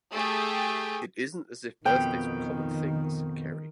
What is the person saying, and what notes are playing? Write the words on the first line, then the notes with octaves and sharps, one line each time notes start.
It isn’t as if birthdays were common things, Kerry.
A3 G4 G#4 G5
F2 B2 D#3 G5